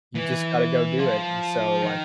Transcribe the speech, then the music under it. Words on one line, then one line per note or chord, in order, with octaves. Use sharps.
you just gotta go do it, and so, like,
E3
F3
D#3